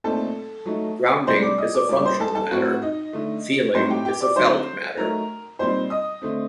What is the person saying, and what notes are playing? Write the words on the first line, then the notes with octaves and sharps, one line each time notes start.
Grounding is a functional matter; feeling is a felt matter.
A#2 A3 C4 D#4 A4 A5
F#3 A3 D#4
C3 G3 D4 C5 C6
D5 D6
D#5 D#6
D5 D6
A#2 G3 A#3 D5 D6
C5 C6
A4 A5
A4 A5
A2 F#3 C4 F#4 F#5
D#4 D#5
D3 A3 D#4
A2 F#3 C4 D#4 C5 C6
G4 G5
G4 G5
D5 D6
D3 F#3 C4 D#4 C5 C6
F#3 A3 D#4 A#4 A#5
A#2 G3 C4 D#4 C5 C6
D#5 D#6
D3 A3 C4